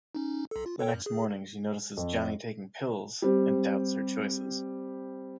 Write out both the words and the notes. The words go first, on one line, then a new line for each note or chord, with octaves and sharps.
The next morning, she notices Johnny taking pills and doubts her choices.
C#4 D#4
B1 A4
F4
A4 C#5 G5
F#2
G#4
F2
G3 C4